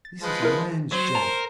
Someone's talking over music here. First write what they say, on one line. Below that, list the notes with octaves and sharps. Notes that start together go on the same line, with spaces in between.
This is a man's job.
A6
F3 G#3 B4
E4 A#4
F#3 C5
A#4 G#5 A5